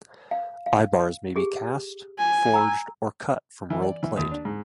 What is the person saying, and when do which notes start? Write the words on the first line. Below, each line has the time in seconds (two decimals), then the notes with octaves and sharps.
Eyebars may be cast, forged, or cut from rolled plate.
0.31 F5
0.66 F5
1.36 G4 G#4
2.19 G#5
2.54 A#5 E6
3.70 E3
3.82 D5
4.03 E3
4.17 D#2
4.31 D4
4.45 G#2